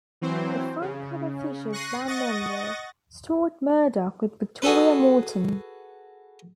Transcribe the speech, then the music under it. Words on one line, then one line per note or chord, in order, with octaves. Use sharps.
The front cover features band member Stuart Murdoch with Victoria Morton.
E3 F#3 C4 C5
C#3
C#6 F#6 A#6 C7 D#7
D#5 F#5 C#6 D#6 A6 A#6
F#4 G#4 A4 B4